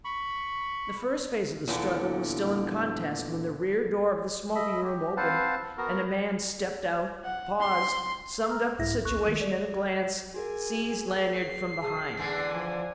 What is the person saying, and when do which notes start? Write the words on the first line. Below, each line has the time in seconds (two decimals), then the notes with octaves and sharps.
The first phase of the struggle was still in contest when the rear door of the smoking room opened and a man stepped out, paused, summed up the situation in a glance, seized Lanyard from behind.
0.05 B5 C#6
1.68 E2 A#2 D3
4.55 D#5 E5 B5
4.84 G4
5.17 C4 B4 C5 F5 F#5 A5
5.78 B3 F#4 A#4
7.24 F#5
7.60 C6
8.50 A#5 F6
8.79 C2 G#2 E4 E5 A#6
9.05 A1 D2 C#6 F#6
9.26 D#3 G#3
9.41 D5
10.34 F#4 G#4 A#4 G#5
11.34 C7
11.82 G#4 A5 E6
12.17 E2 D3 E3
12.54 F3 G#5